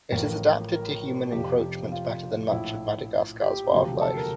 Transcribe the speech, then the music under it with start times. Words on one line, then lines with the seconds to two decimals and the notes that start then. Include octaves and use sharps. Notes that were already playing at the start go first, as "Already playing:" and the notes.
It has adapted to human encroachment better than much of Madagascar's wildlife.
0.12 A1 A2 F3 A#4
0.71 A#4
1.31 F1 F2 C3 F3 G4
1.92 F4
2.51 A#1 A2 F3 E4
3.42 G4
3.72 E1 D2 C3 F3
4.01 A4
4.17 A#4